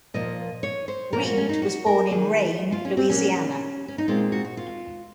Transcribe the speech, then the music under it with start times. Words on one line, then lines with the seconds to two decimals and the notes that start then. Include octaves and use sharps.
Reed was born in Rayne, Louisiana.
0.14 A#2 F3 A#3 D#5
0.63 C#5
0.88 C5
1.12 A#2 F3 A#3 A#4
1.25 F#4
1.37 C#4
1.49 D#4
1.62 F#4
1.86 A#4
2.11 D#3 A#3 G#4
2.72 F4
2.85 C#4
2.97 C4
3.09 A#2 F#3 A#3 C#4
3.88 C#4
3.98 D#4
4.08 A#2 G#3 C4 F4
4.32 F#4
4.45 F#4
4.57 F4